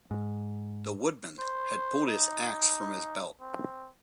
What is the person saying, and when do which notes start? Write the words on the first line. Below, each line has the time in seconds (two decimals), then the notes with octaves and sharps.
The woodman had pulled his axe from his belt.
0.11 G#2
1.39 C5
2.07 D#4
3.41 C4